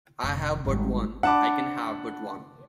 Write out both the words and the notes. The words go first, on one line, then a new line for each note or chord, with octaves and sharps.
I have but one; I can have but one.
F1
G#1 G3
D4 F#5 A5 B5 D6